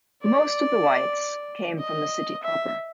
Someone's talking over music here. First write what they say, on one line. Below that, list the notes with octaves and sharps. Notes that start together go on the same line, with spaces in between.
Most of the Whites came from the city proper.
D5
D#5
E5